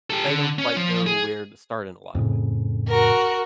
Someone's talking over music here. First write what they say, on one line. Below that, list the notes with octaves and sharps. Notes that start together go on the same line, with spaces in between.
I don't quite know where to start in a lotta ways.
G4 A4
D3
C#4
F3
G#4
F2 A2 C#3
F#4 A#4